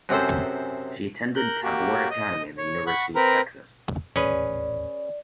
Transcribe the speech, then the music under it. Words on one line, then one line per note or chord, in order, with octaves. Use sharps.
She attended Tabor Academy and the University of Texas.
F#2 C3 G#4 A4 C5
A#4 F#6 G6
A#3 F#4 G4
D#5
C#5
F#5 B5 C#6
C4 A#4 B4 A#5
D#1 A1 E2 C#4 G#4 B4 D5